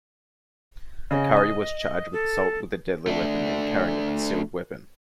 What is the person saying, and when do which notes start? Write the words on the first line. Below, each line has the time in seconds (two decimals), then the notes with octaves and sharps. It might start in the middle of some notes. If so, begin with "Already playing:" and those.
Curry was charged with assault with a deadly weapon and carrying a concealed weapon.
1.11 C#3 C#4 D#5
1.37 D#6
2.12 A4
3.07 A3 D4